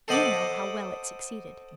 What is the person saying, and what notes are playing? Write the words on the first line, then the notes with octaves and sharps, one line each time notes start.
You know how well it succeeded--.
A4 C5 D#5 F#5 B5 D6